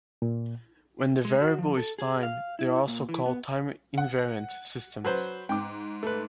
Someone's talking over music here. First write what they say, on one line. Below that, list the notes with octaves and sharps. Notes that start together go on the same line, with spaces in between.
When the variable is time, they are also called time-invariant systems.
A#2
G#3
F#4
F3
A4
G#4
F5
E4
A#2
E3
B3
F#5
F#3 B4 C5
G#2 G5 D6
A3 B4